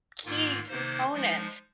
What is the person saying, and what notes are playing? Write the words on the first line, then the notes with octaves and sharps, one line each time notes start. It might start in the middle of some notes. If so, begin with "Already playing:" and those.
key component
G#2 D#3 A#3 F4 A#4
C3 D#3 A#3 D#4 C5
F3 G#3 D#4